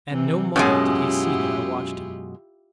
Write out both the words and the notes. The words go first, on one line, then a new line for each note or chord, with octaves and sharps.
At no moment did he see that I watched him.
C3 E3
F#2 B2 G#3 C#4 E4 F4 G4